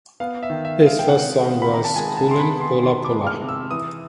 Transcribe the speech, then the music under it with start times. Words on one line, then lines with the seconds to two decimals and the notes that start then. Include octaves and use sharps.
His first song was "Kullen Pola Pola".
0.20 B3 F5
0.43 E5
0.50 D#3
0.65 E5
0.80 G#3
0.86 F5
0.99 G5
1.09 C3 F#5
1.38 B3
1.62 D#3 B5
1.74 A#5
1.84 A5
1.95 G#3 G#5
2.17 A5
2.25 C3
2.31 C6
2.40 B5
2.54 B3
2.61 C6
2.83 D#3 C6
3.05 D6
3.12 G#3
3.27 F6
3.41 C3
3.49 E6
3.71 E3 D#6